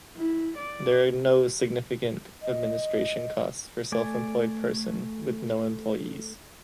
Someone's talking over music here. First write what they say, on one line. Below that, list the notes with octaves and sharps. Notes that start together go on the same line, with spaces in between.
There are no significant administration costs for self-employed person with no employees.
E4
D5
D#5
A3 D5 G#5